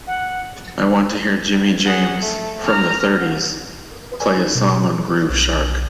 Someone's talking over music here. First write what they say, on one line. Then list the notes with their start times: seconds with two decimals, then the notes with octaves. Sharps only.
I want to hear Jimmy James from the thirties, play a song on Groove Shark.
0.07 F#5
1.85 G#4 F#5
2.19 A3
2.67 A#5 F6
4.20 G#5
4.37 D#4
4.55 B2
5.30 B1